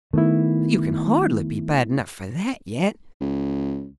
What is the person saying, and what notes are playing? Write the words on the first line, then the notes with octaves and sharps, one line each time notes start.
But you can hardly be bad enough for that yet.
D#3 A3 B3 E4
C#2